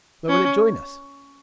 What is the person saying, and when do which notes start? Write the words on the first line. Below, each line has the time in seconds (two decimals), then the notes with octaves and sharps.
"Where will it join us?"
0.29 C#4